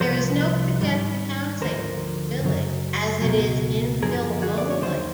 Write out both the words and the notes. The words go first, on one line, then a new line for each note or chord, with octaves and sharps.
There is no projected housing for the village as it is infill only.
C2 C3 F3 A#4 C5
G#2 D#3 G3
D2 D3 F3 A#4 C5
F#2 C#3 F#3
C#2 B2 F#3
F#2 D3 F3 G#4 A#4
F#4 G#4
D5
C#5
D#2 D#3 F#3 C5